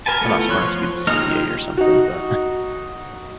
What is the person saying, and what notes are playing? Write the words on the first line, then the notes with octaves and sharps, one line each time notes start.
I'm not smart enough to be the CPA or something, but
A#4 B4 G#5 A5
A3 B3 E4 F4
F3 C#5 C6 C#6 F#6
G#3 A#3 D#4 A#5 F6
D#4 F4 G4
D#4 F#4